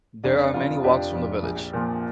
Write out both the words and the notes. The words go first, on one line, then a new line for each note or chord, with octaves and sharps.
There are many walks from the village.
F1 D4
F2 F3 F4
F1 D4 G4
F2 F3
A#1
A#2 F3